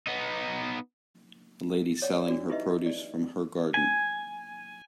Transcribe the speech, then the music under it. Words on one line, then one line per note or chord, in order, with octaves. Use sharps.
A lady selling her produce from her garden.
B3 D#4
C#5 D5 F#5 G5
D4 F#4 D5
D#4 E4 G4 B4 D#5 E5
D5
G#5